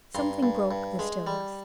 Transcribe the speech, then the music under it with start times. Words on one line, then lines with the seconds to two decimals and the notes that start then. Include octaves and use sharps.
Something broke the stillness.
0.15 G2 A#5 C6
0.43 G2
0.71 G2
0.99 G#3
1.27 G3